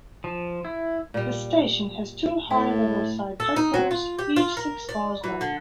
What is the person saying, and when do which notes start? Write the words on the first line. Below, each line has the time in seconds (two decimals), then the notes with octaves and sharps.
This station has two high-level side platforms each six cars long.
0.24 F3
0.65 E4
1.14 A#2 G3
2.50 A2 E4
3.40 A4
3.56 D#4
3.74 F#3
3.91 F4
4.19 G4
4.36 F4
4.57 A#4
4.89 D5
5.24 E3
5.41 D3